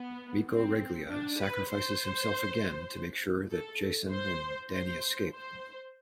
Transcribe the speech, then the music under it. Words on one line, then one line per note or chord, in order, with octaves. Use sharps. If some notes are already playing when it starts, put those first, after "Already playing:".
Miko Reglia sacrifices himself again to make sure that Jacen and Danni escape.
Already playing: B3
C4
D4
B4
C5
A4
C5
C5
C5